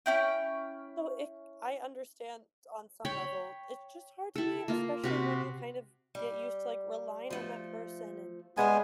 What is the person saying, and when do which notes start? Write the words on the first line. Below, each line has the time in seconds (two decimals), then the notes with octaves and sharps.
So, it I understand on some level, it's just hard to leave, especially when you kind of get used to, like, relying on that person and
0.06 C#4 E4 G5
3.05 C#5 G5 B5
4.36 E4 A4
4.68 A#3 F4
5.04 C3 F#4 B4
6.15 G3
7.30 F3 A3
8.57 G#2 G3 G#3 B3 E5 G#5